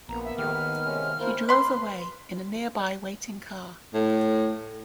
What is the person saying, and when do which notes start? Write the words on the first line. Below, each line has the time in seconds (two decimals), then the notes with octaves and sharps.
He drove away in a nearby waiting car.
0.09 A#1 A#3 B3 A#5
0.24 E5
0.38 F2 G#2 D#3 G4 F6
0.54 D#2 B4
0.85 C3 G#3 C#4
1.20 A#3 E4 F4 A#4 C5
1.49 B4 C6
3.94 A2